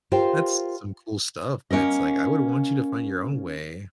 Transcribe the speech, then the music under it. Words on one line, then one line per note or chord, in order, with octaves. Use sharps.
that's some cool stuff, but it's like, I would want you to find your own way.
F4 G4 A#4 C5 F5 G5
A#3 C#4 A#4 D#5